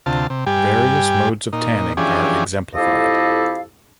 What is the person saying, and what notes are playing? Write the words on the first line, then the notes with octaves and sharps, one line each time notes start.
Various modes of tanning are exemplified.
D2 C3 F4 A5
C3
G2 G3 G4 G#5
A#2 D#4
E3 F3 C#4 D4 G4 G#4
F2 E4 G4 A4 D#5 F5